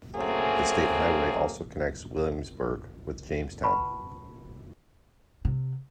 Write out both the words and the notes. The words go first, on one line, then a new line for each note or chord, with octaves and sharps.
The state highway also connects Williamsburg with Jamestown.
F#3 A3 A#3 C4 C#4 G#4
B4 F#5 G#5 A5 B5 C#6
C3